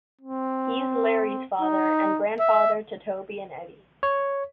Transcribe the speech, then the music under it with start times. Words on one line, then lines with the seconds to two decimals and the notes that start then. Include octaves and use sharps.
He's Larry's father, and grandfather to Toby and Eddie.
0.21 C4
1.61 D#4
2.40 E5
4.03 C#5